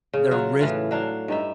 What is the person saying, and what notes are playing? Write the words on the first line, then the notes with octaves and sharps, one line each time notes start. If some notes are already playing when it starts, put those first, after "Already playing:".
the risk
C#3
F#3 F4 F#4 E5
A2 E3 F4
F#3 D4 F5
G2 D#4 E5